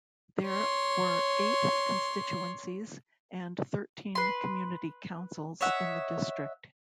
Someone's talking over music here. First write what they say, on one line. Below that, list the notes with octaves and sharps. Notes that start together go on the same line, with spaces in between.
There were eight constituencies and thirteen community councils in the district.
C#5 C6
B4 C6
C#5 D#5 E5 F#5